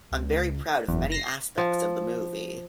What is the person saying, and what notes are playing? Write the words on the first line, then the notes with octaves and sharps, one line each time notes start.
I'm very proud of many aspects of the movie.
C#2
F#1 E2
A#6 C7
F3